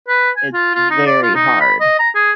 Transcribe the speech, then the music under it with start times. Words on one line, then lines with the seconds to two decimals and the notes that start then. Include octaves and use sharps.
it's very hard
0.08 B4
0.37 G#5
0.53 F4
0.74 F4
0.90 D#4
1.06 D5
1.22 F4
1.35 D#4
1.60 B5
1.80 D#5
1.99 A#5
2.15 G#4